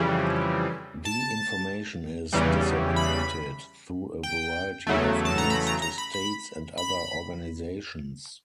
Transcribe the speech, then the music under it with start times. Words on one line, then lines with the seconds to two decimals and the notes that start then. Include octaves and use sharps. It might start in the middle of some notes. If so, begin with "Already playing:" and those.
The information is disseminated through a variety of means to states and other organizations.
Already playing: F2 C#3 E3 G3
1.05 A5
2.33 E2 C#3 E3 G3
2.96 B5
4.23 G5
4.87 E2 C#3 F#3 A3
5.25 A5
5.38 A#5
5.50 B5
5.67 A#5
5.82 A#5
5.98 B5
6.14 B5
6.78 B5